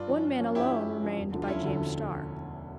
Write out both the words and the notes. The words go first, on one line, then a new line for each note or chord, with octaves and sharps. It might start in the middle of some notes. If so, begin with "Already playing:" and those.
One man alone remained by James Starr.
Already playing: G2 D4 F4
F3 C#4
G2
F3 C#4
G2 E4 G4
F3 C#4
G2
F3 C#4
E1
D2 D3 F3
F4
E1 C#4 E4
D2 D3 F3